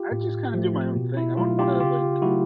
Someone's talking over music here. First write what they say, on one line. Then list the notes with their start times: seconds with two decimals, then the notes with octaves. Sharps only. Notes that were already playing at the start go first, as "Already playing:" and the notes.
I just kinda do my own thing. I wouldn't wanna, like
Already playing: F4 G4
0.11 A2
0.54 F3 A3
0.96 B2
1.17 E4
1.38 F#3 A3 F4
1.59 F4 G4
1.80 C#3 F4 G4
2.22 F#3 A3 E4 F#4